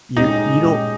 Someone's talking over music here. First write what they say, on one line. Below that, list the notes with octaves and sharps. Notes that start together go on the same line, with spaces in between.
you you don't
A#2 G#3 C#4 D#4 G4
A#2 G#3 C#4 G4